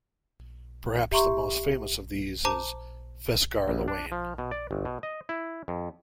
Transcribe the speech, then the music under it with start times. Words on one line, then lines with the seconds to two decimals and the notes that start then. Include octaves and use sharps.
Perhaps the most famous of these is 'Feasgar Luain'.
1.11 G4 E5 A#5 C6 C#6
2.45 C5 A5 A#5 D6
3.68 A#1
3.88 D4
4.12 F3
4.38 B2
4.51 D5
4.71 G1
4.85 B2
5.03 D#5
5.29 E4
5.68 F2